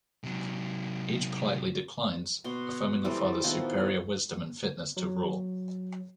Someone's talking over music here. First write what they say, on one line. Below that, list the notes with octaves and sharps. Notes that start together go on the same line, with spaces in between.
Each politely declines, affirming the father's superior wisdom and fitness to rule.
C3 F#3
B2 C6
E3 G3 A3 C4
B2 D#3 F3 E4
F#3